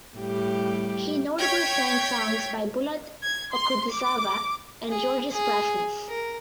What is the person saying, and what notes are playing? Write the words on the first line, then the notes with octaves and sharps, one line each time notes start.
He notably sang songs by Bulat Okudzhava and Georges Brassens.
A2 G3 G4
C#5 G5 G#6 B6
G#6
C6
D6
G#4
G#4
A#4